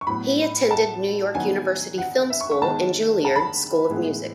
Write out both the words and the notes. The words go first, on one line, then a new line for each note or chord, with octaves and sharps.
He attended New York University Film School and Juilliard School of Music.
C#6
A2 F#3 B3 B5
A5
D#3 F#3 B3 G#5
F#5
E5
C#6
C#6
D#3 G#3 B3 A5
A5
B5
A2 E3 G#3 B3